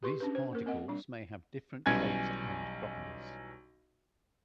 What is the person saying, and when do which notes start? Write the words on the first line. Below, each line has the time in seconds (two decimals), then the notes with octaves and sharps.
These particles may have different shapes and properties.
0.03 G4 G#4 B4 C6 C#6
0.20 C#4 D4 B4
0.35 C5
0.53 A#3 A#4
0.66 C4 A#4 D#5 F#5
0.88 G3 D4
1.86 B1 E3 G3 C#4 G#5 G#6